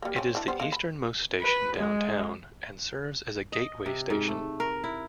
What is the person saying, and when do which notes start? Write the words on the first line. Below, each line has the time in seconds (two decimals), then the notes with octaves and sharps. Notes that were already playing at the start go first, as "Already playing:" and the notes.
It is the easternmost station downtown, and serves as a Gateway station.
0.02 G3 A#3
0.16 C4 C#4
0.35 E3 D4
0.48 G3 B3 C5
0.60 G#3 A#3
0.72 B5
1.41 B4
1.76 G#3
3.52 D#5
3.86 C3
4.10 G#2
4.28 A3
4.60 A#4
4.84 E4